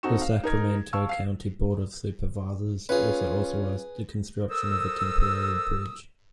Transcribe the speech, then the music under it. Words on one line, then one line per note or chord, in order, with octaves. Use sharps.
The Sacramento County Board of Supervisors also authorized the construction of a temporary bridge.
C4 D#4 F#4 A4 C#6 E7
F5
D#4 A#4 G#6
F5 A5 C#6 E6
F5 C7
C#4 F4 G#4 B4
A4 A#4 C5 D#6 E6